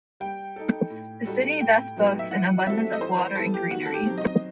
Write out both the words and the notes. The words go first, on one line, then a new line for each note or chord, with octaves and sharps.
The city thus boasts an abundance of water and greenery.
G3 G5
D#4 A4
A2
G3 D#4 F#4 A4
A2 G5
F#3 B3 D#4 F#4
E5
E3 F#5
G3 C4 F#4 A4 E5
D#5
E3 C5
C5
G3 B3 E4 A4
G4
D#3 F#4
A4
G4
F#3 C4
D#5